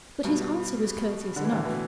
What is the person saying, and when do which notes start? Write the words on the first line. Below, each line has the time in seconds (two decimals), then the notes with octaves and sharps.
But his answer was courteous enough.
0.23 G2 B2
1.36 D3
1.44 E3
1.51 A2 D3
1.65 B2 E3